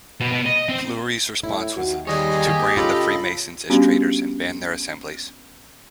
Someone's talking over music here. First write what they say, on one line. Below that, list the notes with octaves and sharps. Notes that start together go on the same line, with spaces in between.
Fleury's response was to brand the Freemasons as traitors, and ban their assemblies.
B2
B2
D#5
C4
A2 E4
D#2 F#4
D#3 G3 G#4 C#5 D#5 G#5
A#3 G4
C#3 F4 A4 D#5 B5
G3 B3 C#4 D4 F#4 G4